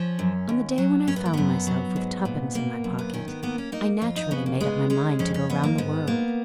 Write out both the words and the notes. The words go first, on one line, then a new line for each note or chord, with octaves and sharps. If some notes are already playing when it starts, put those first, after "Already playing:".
On the day when I found myself with twopence in my pocket, I naturally made up my mind to go round the world.
Already playing: F3 C#4
F#2
D#2
F#3
F#2 C#4
B3
A#3
F#2 B3
F#3
G#2
A#2
A#3
F#2
B3
D#3 C#4
B3
A#3 B3
C#4
A#3 D#4
F2 F4
D#4
C#3 B3
A#3
G#3 B3
G#3 C#4
F2 C#4
C#4
F2 B3
A#3
G#2 B3
A#3